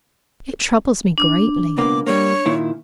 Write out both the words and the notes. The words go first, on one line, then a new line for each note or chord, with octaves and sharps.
It troubles me greatly.
D4
C#2 B2 A#3 D6
G3 A#3 C#5
A#2 D#3 E4